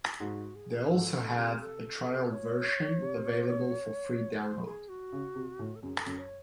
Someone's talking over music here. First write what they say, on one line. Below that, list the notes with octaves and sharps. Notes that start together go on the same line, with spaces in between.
They also have a trial version available for free download.
G#2 F#4
G#4
G#2 A4
C3
A4
C#5
C3
C5
G#4
F#4
C#3
C3
A2
A4
F#2 G#4
A4
F#2
C#5